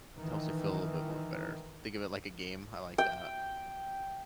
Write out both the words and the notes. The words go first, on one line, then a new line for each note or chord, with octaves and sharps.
helps me feel a little bit more better. Think of it like a game. I like that.
D#3 E3
G5